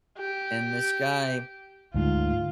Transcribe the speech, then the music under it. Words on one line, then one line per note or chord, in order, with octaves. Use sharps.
and, this guy,
G4
D2 G#2 F4